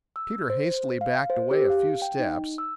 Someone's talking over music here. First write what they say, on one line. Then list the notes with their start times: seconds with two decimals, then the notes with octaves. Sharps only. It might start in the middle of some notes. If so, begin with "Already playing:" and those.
Peter hastily backed away a few steps.
0.16 E6
0.50 C5
1.01 F5
1.30 C5
1.51 G4
1.70 F5
2.02 G5
2.19 D#4
2.58 E6